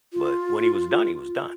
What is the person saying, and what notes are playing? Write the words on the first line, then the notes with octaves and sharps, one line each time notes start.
but when he was done, he was done.
F4